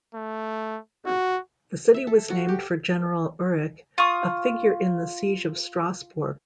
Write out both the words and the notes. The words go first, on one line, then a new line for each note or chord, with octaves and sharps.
The city was named for General Uhrich, a figure in the Siege of Strasbourg.
A3
F#4
E5
A4
F#4
G4
F4 C#6 D#6